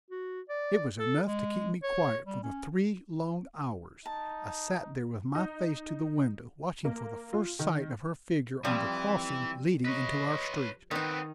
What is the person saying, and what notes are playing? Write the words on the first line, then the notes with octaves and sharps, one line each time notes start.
It was enough to keep me quiet for the three long hours I sat there with my face to the window, watching for the first sight of her figure on the crossing leading into our street.
F#4
D5
A4
G#3
C#5
G3
C#4
D#4 A5
D#4
A#3
F4
D#3
E3 F3 G3 C4
B4 C#5 D#5
D#3 B3 C4 D#4 B4